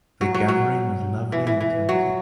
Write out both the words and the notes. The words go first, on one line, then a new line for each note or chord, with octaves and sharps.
The gathering was lovely and tempting.
F#3
F#3
F#3
E3
E3
E3
F#3